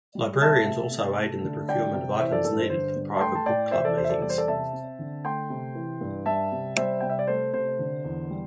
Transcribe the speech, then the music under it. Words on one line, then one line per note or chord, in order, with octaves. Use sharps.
Librarians also aid in the procurement of items needed for private book club meetings.
G3
C3 E5 A5
A3
C3
A3
D3
G3 D5 G5
C3
E3 C5 E5
A4 D5
G2 A4
C5
D3 C5
G2
A5
A3 G5 C6
A5
A2 D5 G5
C3 C5 E5
A4 D5
E2 C5
E5
A4 D5
G3 D5
C5
A4 D5
C3 E5 A5
C4
D3
A3 G5 C6
C3
E3
G2
G3 E5 A5
C3
G3 C5 E5
C3 G5
E5
D5
A3 C5
C3 C5
D3
E2
G3